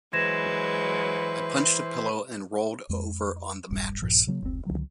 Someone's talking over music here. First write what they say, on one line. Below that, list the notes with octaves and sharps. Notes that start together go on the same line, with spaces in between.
I punched a pillow and rolled over on the mattress.
E3 F#3 G#3 B4 C5 G#6 A#6 E7
F2 G#3
E1 A#1 G2 G3
A#1 G2 A#2 F3
C#3 F#3 A3 A#3
F1 C#2 C3 C4
C#2 D3 D#3 F#3